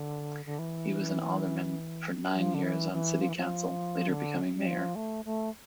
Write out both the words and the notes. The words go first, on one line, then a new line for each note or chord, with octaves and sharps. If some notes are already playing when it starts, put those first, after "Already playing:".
He was an alderman for nine years on city council, later becoming mayor.
Already playing: D3
D3
E3
F3
D3
E3
E3
F3
E3
F3
D3
G3
F3
A3
A3